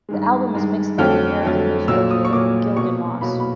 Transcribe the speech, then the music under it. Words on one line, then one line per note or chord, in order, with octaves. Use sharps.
The album is mixed by the American musical duo Gilligan Moss.
G2 D#3 G#3
G2 D#3 G#3
F2 D3 F#3 A3 F6
F2 D3 F#3 A3
A#2 F#3 A#3 E6
D#6
C#6
A#2 F#3 A#3 D6
B2 F#3 A#3 C#6
B2 F#3 A#3 B5
B5